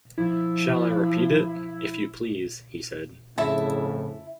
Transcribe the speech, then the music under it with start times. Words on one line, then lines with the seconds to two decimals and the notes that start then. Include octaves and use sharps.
'Shall I repeat it?’ ‘If you please,’ he said.
0.18 F3 E4
3.38 F2 A2 C#3 E4 E5 A5